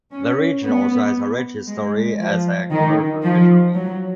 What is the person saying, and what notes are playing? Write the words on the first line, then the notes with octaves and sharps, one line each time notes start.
The region also has a rich history as a commercial fishery.
C#4
B3
G#3
F3
D#3
F3
F#3